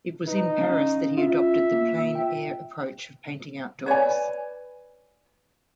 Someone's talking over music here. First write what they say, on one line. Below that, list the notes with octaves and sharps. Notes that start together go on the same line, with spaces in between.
It was in Paris that he adopted the plein-air approach of painting outdoors.
D#4 B4
C#4 F5
F4 E5
A#3
G5
B4 C#5 D5 G#5